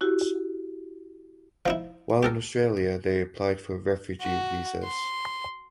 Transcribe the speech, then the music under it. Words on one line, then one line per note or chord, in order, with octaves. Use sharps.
Whilst in Australia they applied for refugee visas.
E4 F#4 G4
F3 D#4 E4
G4 A4 A#4
F#4
C6